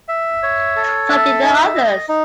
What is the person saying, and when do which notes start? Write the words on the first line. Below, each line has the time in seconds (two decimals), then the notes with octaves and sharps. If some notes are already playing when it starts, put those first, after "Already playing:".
So did the others.
0.08 E5
0.43 C#5
0.76 A4
1.09 E5
1.43 D#4
1.75 D#5
2.09 D#4